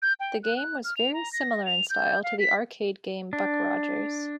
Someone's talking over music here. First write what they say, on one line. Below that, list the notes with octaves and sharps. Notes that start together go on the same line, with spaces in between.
The game was very similar in style to the arcade game "Buck Rogers".
G6
G5
F#6
F#6
F6
F7
A#5
A#6
F7
G6
F5
B6
D4